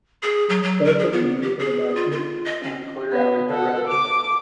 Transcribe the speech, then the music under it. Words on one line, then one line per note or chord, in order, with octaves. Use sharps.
Both can be reached in about two and a quarter hours by road.
G#4
F#3
F#3
A#4
G#4
B3
G4
G#4
F4
F4
D#5
C#4
B3
A4 F#5
D6